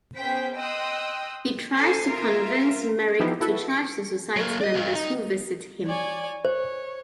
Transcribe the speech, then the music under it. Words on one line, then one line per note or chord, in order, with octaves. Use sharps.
He tries to convince Merrick to charge the society members who visit him.
B3 C#4 G#4 C5 G5 B6
D#5 G5 C6 D#6 E6 F#6
C#4 A4 C5 G#5 C7
F4 A#4 E5
E3 F3 B3 D#4 E4 G4
E4 F#4 A4 B4 E5
C#7 D7
F#3 A#3
D5 D#5
D2 G2
D#4
C#5 D5 G#5
C5 C#5